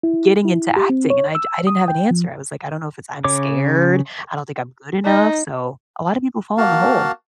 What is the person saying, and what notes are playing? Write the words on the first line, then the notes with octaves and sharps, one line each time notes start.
getting into acting," and I I didn't have an answer, I was, like, "I don't know if it's I'm scared, I don't think I'm good enough," so a lotta people fall in the hole.
E4
E4
G4
C4
C#5
E6
D#6
G5
F3
C#3 C#5 D6
D#4
A#3 F#4 F5 A5